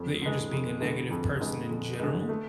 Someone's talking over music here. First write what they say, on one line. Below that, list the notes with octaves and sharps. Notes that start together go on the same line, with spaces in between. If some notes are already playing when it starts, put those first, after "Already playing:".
that you're just being a negative person in general,
Already playing: F2
D3 G#3
F2
D3 G#3
F2
D3 G#3
F2
D3 G#3
A3